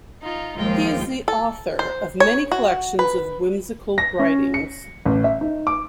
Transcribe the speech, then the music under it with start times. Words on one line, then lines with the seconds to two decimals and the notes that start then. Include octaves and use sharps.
He is the author of many collections of whimsical writings.
0.22 D#4 F4
0.57 D#2 F3 G#3 F4 G5
1.28 A4
1.79 C5
2.20 C#5
2.52 F#4
2.99 B4
3.98 A#6
4.19 C#4
4.54 C#7
5.05 A1
5.24 E5
5.41 D#4
5.67 D6